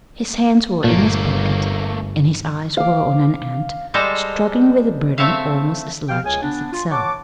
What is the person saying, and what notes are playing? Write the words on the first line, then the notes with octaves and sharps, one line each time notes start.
His hands were in his pocket, and his eyes were on an ant struggling with a burden almost as large as itself.
G1 A#2 A3 A#3
F5 D6
G3 G#3 A4 C5 A#5
A3 C4 C#5 E5 F5
F3 G4 F5 G5 F6
C#2 G#4 C#5 G#5
B3 D4
F4
C#5 F#5 A5 D6